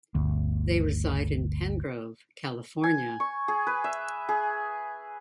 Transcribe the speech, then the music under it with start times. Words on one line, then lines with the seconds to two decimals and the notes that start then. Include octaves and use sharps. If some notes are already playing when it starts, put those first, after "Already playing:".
They reside in Penngrove, California.
0.15 G1 D2
2.84 G#5
3.20 C#6
3.48 G#4
3.67 B4
3.84 E5
4.29 G#4